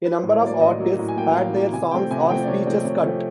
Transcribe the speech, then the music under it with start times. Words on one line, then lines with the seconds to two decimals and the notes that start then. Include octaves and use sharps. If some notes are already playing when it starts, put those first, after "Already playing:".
A number of artists had their songs or speeches cut.
0.05 B4
0.19 A2 C5
0.34 C#5
0.42 F#3 A#3 D5
0.61 A2 D#5
0.80 F#3 A#3
0.99 A2
1.08 G#5
1.17 F#3 A#3 G5
1.26 F#5
1.35 A2 F5
1.54 F#3 A#3
1.73 C3 G#5
1.91 F3 A3 C4 G5
2.11 C3 G#5
2.21 F#5
2.29 F3 A3 C4 G5
2.43 D5
2.48 C3 C#5
2.67 F3 A3 C4
2.85 C3 C#5
3.04 F3 A3 C4